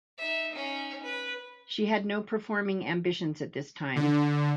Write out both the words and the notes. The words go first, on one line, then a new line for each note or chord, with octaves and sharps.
She had no performing ambitions at this time.
D#4 E5
C#4 D#4
B4
D3